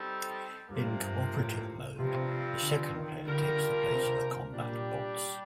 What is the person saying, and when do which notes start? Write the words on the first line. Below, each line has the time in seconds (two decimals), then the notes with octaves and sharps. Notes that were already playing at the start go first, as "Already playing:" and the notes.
In cooperative mode, the second player takes the place of the combat bots.
Already playing: G3 C4 D#4 A4
0.69 G2 C3 F3 A#3
1.01 G2
1.33 A2
1.97 G2 C3 F3 C4
2.61 D3
2.93 D#3
3.25 D3 G3 D4 F4 A#4
3.88 C3
4.52 A#2 G3 D4 G4